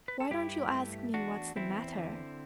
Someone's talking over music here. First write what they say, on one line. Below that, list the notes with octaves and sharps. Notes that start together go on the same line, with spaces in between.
"Why don't you ask me what's the matter?"
B4
A4
G2 E4 G4
A3
E2 D4 F#4
E2 C4 E4
D3